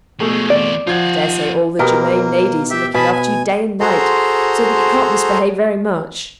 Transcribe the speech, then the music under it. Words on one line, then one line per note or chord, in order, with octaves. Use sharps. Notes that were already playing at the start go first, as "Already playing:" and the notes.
I daresay all the Germain ladies are looking after you day and night, so that you can't misbehave very much.
B2 F3 G#3 A3 G#4
E3 C4 D5
F3 F4 F#5 G#6
B2 A#3 G4 A#4
G4 E5
B2 G#5 A5 B5
G#5
F#4 G#4 A4 C5 A#5 C6